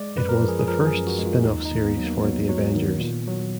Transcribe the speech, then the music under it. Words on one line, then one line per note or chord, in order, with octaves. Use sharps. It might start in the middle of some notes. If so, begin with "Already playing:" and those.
It was the first spin-off series for the Avengers.
Already playing: G#3 D5
F#2 B4
A#4
F3
G#4
G#4
F3 A#4
G#4
F#2
F#4
G#3
F4
D#2 D#4
D#4
D#2
B3
F#3
A#3
F#3 B3
F#3
D#3
A#2
F#3